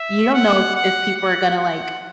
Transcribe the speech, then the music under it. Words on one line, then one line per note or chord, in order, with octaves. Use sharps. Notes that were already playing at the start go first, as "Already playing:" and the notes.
You don't know if people are gonna, like,
Already playing: E5
F#5
F#5
F#5
F#5